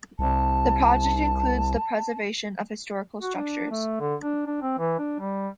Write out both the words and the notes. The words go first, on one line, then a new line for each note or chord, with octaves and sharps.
The project includes the preservation of historial structures.
C2 A5
F#4
D4
A3
D3
D4
D4
C4
E3
D4
G3